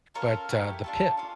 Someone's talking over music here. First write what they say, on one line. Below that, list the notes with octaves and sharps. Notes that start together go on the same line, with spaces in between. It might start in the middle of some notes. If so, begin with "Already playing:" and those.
but, uh, The Pitt
C#4 F4 A4 A#4
A3 E4 G4
D4 F4 A4
C#4 F4